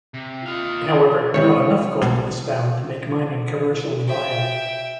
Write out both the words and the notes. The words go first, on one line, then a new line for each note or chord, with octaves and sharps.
However, not enough gold was found to make mining commercially viable.
C3
D#4 F4 F5
G#2 C3 E3 C#5
E5 G5